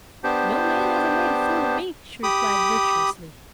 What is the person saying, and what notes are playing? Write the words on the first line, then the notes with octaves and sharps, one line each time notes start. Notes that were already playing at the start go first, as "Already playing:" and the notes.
"No man ever made a fool of me," she replied virtuously.
B3 D4 G4 C5
G4 B5 D6 D#6